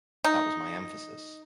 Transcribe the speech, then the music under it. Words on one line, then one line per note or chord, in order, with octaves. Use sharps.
That was my emphasis.
D#4